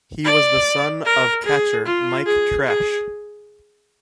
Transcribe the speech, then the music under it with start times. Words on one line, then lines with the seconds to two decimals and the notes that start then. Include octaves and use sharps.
He was the son of catcher Mike Tresh.
0.25 D5
1.05 A#4
1.45 G#4
1.85 F4
2.26 G#4
2.66 G#4